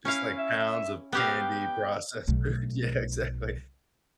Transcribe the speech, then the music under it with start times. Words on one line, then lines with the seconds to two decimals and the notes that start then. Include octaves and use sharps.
just like, pounds of candy processed food, yeah, exactly,
0.05 C#4 E4 F5
0.38 E5
1.12 B3 G4 F5 G5
2.28 B1 A3